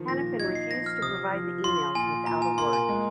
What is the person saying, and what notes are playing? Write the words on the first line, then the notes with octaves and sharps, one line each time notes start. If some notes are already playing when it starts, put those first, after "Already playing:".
Hanafin refused to provide the emails without a warrant.
Already playing: D#3 F3
A#2 A#6
D#4 G#6
C7
F3 A#6
F6
C3 D#6
F3
F4 C6
A#2 G#5
A#2 A#5
G#5
A#3 C6
G#5
G#3